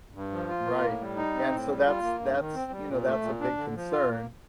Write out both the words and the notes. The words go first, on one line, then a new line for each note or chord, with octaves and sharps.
Right, and, so, that's that's you know, that's a big concern,
G2
F3
F4
A#3
A2
G3
D#4
C4
A2
G3
F4
A#3
G2
D#3
C4
G3
A#2
A3
A#2
D4
D3
F3
F4
A#3